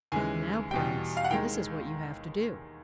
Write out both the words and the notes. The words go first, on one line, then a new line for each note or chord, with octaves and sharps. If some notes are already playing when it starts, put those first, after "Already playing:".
'Now, Prince, this is what you have to do.
D#2 C#3 E3 G#3 G#5
E2 B2 G3 G5
F5
F#5
D#2 D#3 G#3 G5